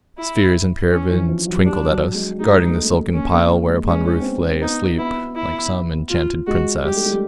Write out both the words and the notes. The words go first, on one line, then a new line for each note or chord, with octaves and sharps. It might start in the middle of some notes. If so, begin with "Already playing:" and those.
Spheres and pyramids twinkled at us, guarding the silken pile whereon Ruth lay asleep--like some enchanted princess.
E4
C#4
E3
F3
F#3
G3 D4
F#3
G#3
G#3 D#4
A#3
A3
A#3 C#4
A#3
G#3
G#3 C#4
C4
B3
B3 D#4
B3 E4
E4
F4
G#3 F#4
G3 G4
A3
G#3
G3